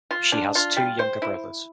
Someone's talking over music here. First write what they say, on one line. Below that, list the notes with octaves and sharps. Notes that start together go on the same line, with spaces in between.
She has two younger brothers.
F4
D4
F4
G3
C5
E4